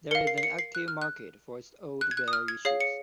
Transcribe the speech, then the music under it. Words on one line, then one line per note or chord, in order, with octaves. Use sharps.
There is an active market for its old, rare issues.
A#4 F5 C#7
C7
C7
C#7
C7
F#6
F6
F#6
F#6
G#6
F#6
D#6
F6
G#6
G#4 C#5 F5 C7
C#7